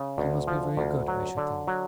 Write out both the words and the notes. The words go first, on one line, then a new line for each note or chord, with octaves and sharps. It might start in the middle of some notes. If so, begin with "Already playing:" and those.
He must be very good, I should think?'
Already playing: C#3
D2
F3
D2
F#3
D3
F#3